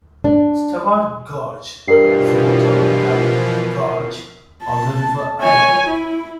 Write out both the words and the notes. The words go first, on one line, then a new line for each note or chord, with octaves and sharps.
Staward Gorge is a Victorian garden in a gorge of the River Allen.
D4
G2 B2 E3 F3 A#4 C7
A5
C#5 G#5
E4